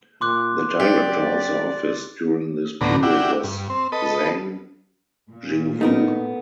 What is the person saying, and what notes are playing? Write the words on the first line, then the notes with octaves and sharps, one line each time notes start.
The director of the office during this period was Zhang Jingwu.
A#2 C6 D6 F#6
F#2 G4 D5
D2 A2 D3 B3 A#5
D4 E4 F#4 G4
G2
C4
A4 B4 D#5
A#2
A3 B3 D#4 A#4